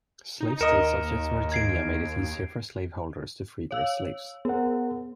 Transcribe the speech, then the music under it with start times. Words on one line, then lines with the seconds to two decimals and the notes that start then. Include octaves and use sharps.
Slave states such as Virginia made it easier for slaveholders to free their slaves.
0.40 D#4
0.61 D#2 A#4 D#5 D#6 C#7 E7
1.52 G#6 C7 D7
3.71 C#5 F5 E6
4.45 B3 G#4 A#4 F#5